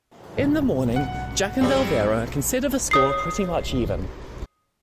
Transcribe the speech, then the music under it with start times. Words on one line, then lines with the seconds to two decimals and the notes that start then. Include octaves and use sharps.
In the morning, Jack and Elvira consider the score pretty much even.
0.38 G#2 C#3 F#3
0.96 F#5
1.61 G2 C#3 F3 G3 C4
2.91 C#5 D#6 C7